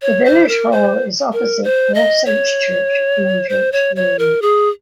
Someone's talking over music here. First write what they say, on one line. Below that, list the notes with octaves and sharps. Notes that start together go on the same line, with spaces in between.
The Village Hall is opposite All Saints Church in Church Lane.
C#5
C5
A#4
C5
A#4
C5
D#5
C#5
C5
C#5
C#5
A#4
G#4